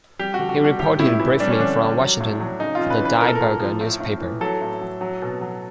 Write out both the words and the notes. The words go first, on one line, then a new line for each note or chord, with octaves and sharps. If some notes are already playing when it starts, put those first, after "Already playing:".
He reported briefly from Washington for the "Die Burger" newspaper.
G3 G4
F#4
D3
F#4
G3 F#4
A2 G4
A2 E4
E3 E4
G3 D4
C#4
D3 D4
G3
F#3
A2
F#3
C#3 D#4
F4
C#3
B4
E3
B4
A#2 A#4
A4
A#4
A#2
F3
A2
A2
E3
F#3 A4
A2
F#3
F#3
B2
F#3